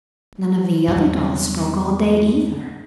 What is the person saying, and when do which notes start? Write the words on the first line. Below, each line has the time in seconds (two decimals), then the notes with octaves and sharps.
None of the other dolls spoke all day, either.
0.88 E2 G2 F#3